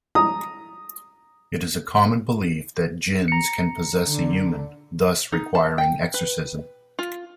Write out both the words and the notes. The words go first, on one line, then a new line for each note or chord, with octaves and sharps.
It is a common belief that jinns can possess a human, thus requiring Exorcism.
A#5 D#6
A#5 C#7
D3
D#4
A5
G5
B4
F4